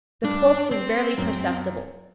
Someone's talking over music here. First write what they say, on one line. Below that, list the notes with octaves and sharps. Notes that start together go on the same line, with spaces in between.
The pulse was barely perceptible.
G2 D4
C4
F#2